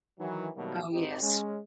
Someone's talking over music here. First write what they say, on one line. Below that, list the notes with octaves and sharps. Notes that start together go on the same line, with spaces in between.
Oh, yes.
D#3 E3 F#3
B2 D#3 F#3 G3 A3 A#3
G#1 C4 D#4 G4
G#3 C#4